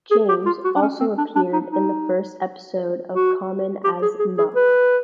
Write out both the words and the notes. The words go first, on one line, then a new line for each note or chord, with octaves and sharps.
James, also appeared in the first episode of Common As Muck.
G#4
G4
F4
F#4
D4
C#4
C4
D4
D4
D#4
D#4
F#4
G4
G#4
G#4
G#4
B4